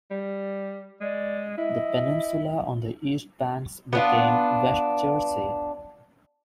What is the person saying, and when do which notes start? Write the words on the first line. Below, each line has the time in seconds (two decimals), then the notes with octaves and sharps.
The peninsula on the east banks became West Jersey.
0.11 G3
1.01 G#3 D5
1.57 E4 D#5
3.93 B3 D4 F4